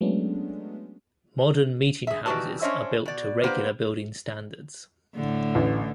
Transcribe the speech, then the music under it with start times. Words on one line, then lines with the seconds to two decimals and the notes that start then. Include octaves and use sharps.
Modern meeting houses are built to regular building standards.
0.01 F#3 G#3 A3 B3 C#4 D4
2.07 G#4 E5
2.26 D#3 E3 G3 F#4 B4 A5
2.61 C#4 D4 C5 C#5 D#5 E5
3.06 B2 D5
3.44 A#3 B3 G4 B4 C5
5.15 A2 D3
5.55 A1